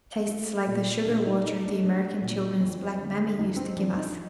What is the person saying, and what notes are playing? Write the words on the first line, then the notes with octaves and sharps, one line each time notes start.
"It tastes like the sugar-water the American children's black mammy used to give us."
A3
A#2
A#2 D4
D#4
A3 D#4
D4
A3 D4
A#2
F2
D3
F2 D#4
C4
F3 D4
D#4